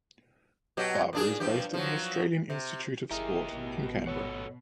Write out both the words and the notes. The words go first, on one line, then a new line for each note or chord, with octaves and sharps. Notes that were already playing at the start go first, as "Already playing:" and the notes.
Barber is based at the Australian Institute of Sport in Canberra.
B2 F#3 G4
A#2 D4 G#4
G2 F3 G4
F3 F#3
C3
F#1 E4 G4 G#4 A#4 D#5 E5 A#5
A1 B2
G#2 A4 B4 C#5 F#5